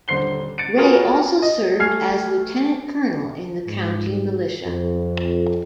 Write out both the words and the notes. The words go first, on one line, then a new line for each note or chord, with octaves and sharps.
Ray also served as lieutenant-colonel in the county militia.
D#1 D3 C5 C7 G7
A6 C#7 D7
C#4 F4 F#4 G#4 A#4 B4
D#5
G3 A3 G#5 F6 G#6 C7
G#2
F2